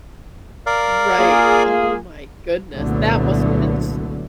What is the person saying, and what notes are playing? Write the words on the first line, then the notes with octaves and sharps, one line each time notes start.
Right, oh my goodness, that must have been s
A#4 D5 F5
A#3 F4 G#4
C2 A#2 D3 F#3 A3 B3